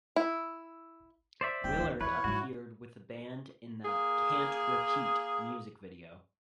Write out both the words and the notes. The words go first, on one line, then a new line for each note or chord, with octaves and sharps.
Willard appeared with the band in the "Can't Repeat" music video.
E4
C5 D5 E5
D#1 G5
D#2
E2 E4 B4 C#5
G#2 F#3 F#4
A#3 G#4